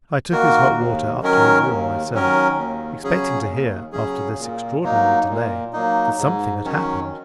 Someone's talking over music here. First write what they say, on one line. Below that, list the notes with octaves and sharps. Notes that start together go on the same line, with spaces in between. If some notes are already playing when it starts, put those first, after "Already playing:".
I took his hot water up to his room myself, expecting to hear, after this extraordinary delay, that something had happened.
D#3 A#3 F#4 A#4
D#2
D#3 F#3 C#4 A#4
D#2
D#3 F#3 C#4 A#4
D#2
C#3 F#3 C#4 G#4
D#2
C#3 F#3 C#4 G#4
A#2
F#3 A#3 D#4
A#2
F#3 A#3 D#4
G#2
D#3 F#3 C#4